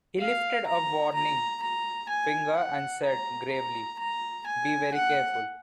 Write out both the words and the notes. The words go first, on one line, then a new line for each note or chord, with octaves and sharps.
He lifted a warning finger and said gravely, "Be very careful."
F5
A#5
A#5
A#5
G#5
F#5
A#5
A#5
A#5
G#5
F#5